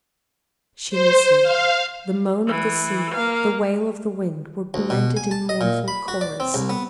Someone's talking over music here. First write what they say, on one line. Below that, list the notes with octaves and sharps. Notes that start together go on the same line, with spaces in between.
She listened; the moan of the sea, the wail of the wind, were blended in mournful chorus.
C5
F5
E3
A#3 F5
D2
B2
G#5
A5
D#5
A#2
B5
F#4
D5
C4
C2
B3